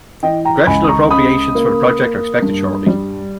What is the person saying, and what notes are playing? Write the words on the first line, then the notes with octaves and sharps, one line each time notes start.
Congressional appropriations for the project are expected shortly.
E3 D#5 G5
G5 A#5
C#2 G#5 B5
D#6
A#5 C#6
C#3 B5 D#6
A#3
A#3
G2
G3